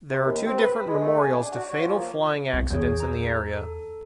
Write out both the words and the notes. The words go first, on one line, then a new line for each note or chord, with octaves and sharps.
There are two different memorials to fatal flying accidents in the area.
C3
D#2
C4
B4
G#3
A3
G#5
D4
F#4
C#5
F3
A#3
C2
E2 G#4 C#5 G6
A#5 E6
A4